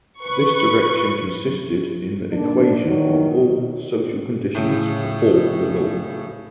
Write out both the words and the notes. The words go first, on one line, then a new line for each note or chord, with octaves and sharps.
This direction consisted in the equation of all social conditions before the law.
B4 C#6
A#2 D3 D#3 F3 D4
D#3 E3 F#3
A2 C#3